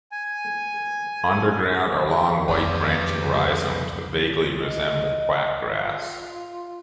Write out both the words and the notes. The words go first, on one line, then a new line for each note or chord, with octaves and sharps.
Underground are long white branching rhizomes that vaguely resemble quackgrass.
G#5
F2 C#4 B4 D5
D#5
F4